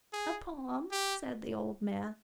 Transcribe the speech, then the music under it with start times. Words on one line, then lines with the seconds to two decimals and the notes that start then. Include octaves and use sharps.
"A poem," said the old man.
0.13 G#4
0.92 G4